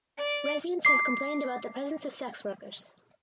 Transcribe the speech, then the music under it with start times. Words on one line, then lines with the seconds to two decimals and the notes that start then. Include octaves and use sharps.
Residents have complained about the presence of sex workers.
0.17 D5
0.85 D6 C7